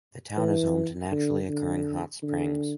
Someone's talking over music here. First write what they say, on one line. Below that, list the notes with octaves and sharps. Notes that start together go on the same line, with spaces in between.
The town is home to naturally occurring hot springs.
E3
D3
D3
D3